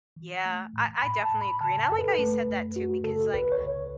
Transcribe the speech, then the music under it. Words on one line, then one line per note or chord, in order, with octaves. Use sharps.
Yeah, I I definitely agree, and I like how you said that too, because, like,
E3
A3
A2
A2 B5
A5
A2
B5
C#3 A5
A5
F#2 A4
B4
A3
F#2
A3 F#4
C#3 A4
C#2 B4
C#5
C#3